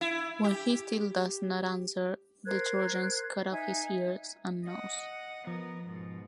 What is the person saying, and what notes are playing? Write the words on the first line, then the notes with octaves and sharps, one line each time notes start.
When he still does not answer, the Trojans cut off his ears and nose.
E4
G4
A#4 C5 F#6 G#6
D#4 E5 G#5
D#5 F#5
F3 B3 A#4
G#2 B2